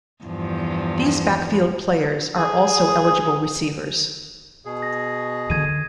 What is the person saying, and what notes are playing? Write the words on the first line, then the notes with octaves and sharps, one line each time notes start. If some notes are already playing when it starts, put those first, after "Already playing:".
These backfield players are also eligible receivers.
E2 G2 F3
G#4
B2 G#4
A#6
D3 D#3 G#6 D#7